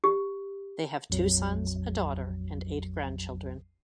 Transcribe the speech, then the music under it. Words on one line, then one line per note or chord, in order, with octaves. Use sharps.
They have two sons, a daughter, and eight grandchildren.
G4
A#1 F2 F#3